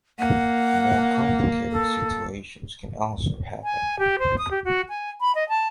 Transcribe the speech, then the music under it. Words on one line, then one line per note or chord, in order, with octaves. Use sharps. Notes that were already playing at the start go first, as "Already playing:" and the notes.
More complicated situations can also happen.
A#3 F#5
A4
G#5
G4
C5
D#6
G4
F#4
G#5
B5
D#5
A5